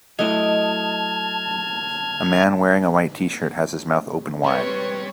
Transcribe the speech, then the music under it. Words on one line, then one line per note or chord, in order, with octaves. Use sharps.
A man wearing a white tshirt has his mouth open wide.
F#3 A3 E4 D#5 A5 F6 G#6
G3 C4 B4 C#5